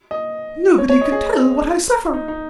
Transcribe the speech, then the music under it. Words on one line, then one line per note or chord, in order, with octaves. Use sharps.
Nobody can tell what I suffer!
D#5
C#5
C#5
D#5
G#4
D#4
D#4